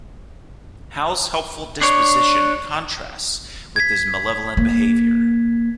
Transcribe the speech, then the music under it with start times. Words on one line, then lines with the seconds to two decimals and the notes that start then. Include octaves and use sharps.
Hal's helpful disposition contrasts with his malevolent behaviour.
1.81 D4 C#5
3.76 G#6 B6
4.57 A#3